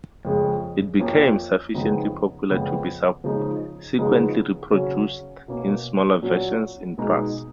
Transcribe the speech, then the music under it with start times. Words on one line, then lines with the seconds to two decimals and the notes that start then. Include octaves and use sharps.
It became sufficiently popular to be subsequently reproduced in smaller versions in brass.
0.25 F2 C#3 F3 G#3
0.99 F2 F3 A#3 C#4
1.74 F2 C#3 G#3 B3 D#4
2.50 F2 C#3 G#3 B3
3.24 C#3 F3 G#3 D#4
3.98 C#3 F3 G#3 B3 D#4
4.73 C#3 F#3 C#4
5.48 B2 A#3 C#4
6.22 A#2 F#3 C#4
6.98 B2 G#3 D#4